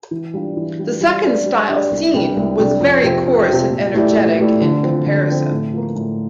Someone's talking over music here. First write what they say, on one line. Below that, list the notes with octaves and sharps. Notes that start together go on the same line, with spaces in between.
The second style seen was very coarse and energetic in comparison.
E3
G3 D4 F4
E3
G3 D4 F4
G3
D4 G4 D5
G3
D4 G4 D5
C2
C3 G3 D4
C2
C3 G3 D4
F2
C3 F3 C4
F2
C3 F3 C4
A#2
A3 E4 G4 D5
A#2
A3 E4 G4 D5
D3
F3 C4
D3
F3 C4
A2
F3 A#3
A2